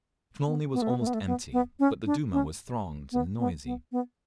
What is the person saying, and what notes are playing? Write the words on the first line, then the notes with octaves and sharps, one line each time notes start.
Smolny was almost empty, but the Duma was thronged and noisy.
B3
B3
A3
B3
A3
B3
A3
B3
B3
C#4
D4
C#4
B3
B3
B3
B3